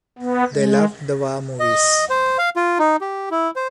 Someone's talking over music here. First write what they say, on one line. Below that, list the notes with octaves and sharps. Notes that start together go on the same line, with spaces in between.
They loved the war movies.
B3
G#3
D#5
C5
F5
F4
D#4
G4
E4
C5